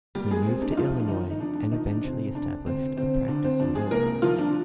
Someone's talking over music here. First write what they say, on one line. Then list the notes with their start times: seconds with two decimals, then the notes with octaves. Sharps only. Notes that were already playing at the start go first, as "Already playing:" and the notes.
He moved to Illinois and eventually established a practice in Hillsboro.
0.15 G3 A#3 G4
0.31 G#3 G#4
0.46 A#3 C4
0.62 D4
0.72 D#4
0.77 F2 F3 F4
1.00 D4
1.09 F2 D#3 D#4
1.31 D#4
1.40 F3 D4
1.56 D4
1.71 D#3 F3 D#4
1.87 D4
2.03 F1 C4
2.34 F1 D4
2.65 D2 C4
2.97 D3 C4
3.28 D3 D4
3.45 C4
3.60 F3 D4
3.75 G#3 G#4
3.91 C2 A#3 A#4
4.22 D#3 F3 F4
4.38 D4